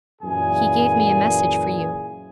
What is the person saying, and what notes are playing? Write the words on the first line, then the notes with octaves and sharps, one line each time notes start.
He gave me a message for you.'
F#2 A#2 E3 G#4 G#5